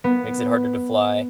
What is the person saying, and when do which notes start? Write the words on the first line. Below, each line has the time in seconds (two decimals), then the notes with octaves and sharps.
makes it harder to fly.
0.04 B3